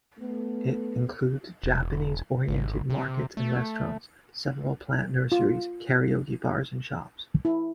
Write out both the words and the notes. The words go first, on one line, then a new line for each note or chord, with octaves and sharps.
It includes Japanese-oriented markets and restaurants, several plant nurseries, karaoke bars and shops.
A3 B3
E1
G#1
C3
A3
F4
E4